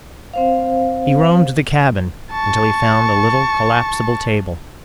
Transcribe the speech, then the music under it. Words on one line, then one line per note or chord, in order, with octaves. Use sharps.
He roamed the cabin until he found a little collapsible table.
C4 C5 F5
A5 C#6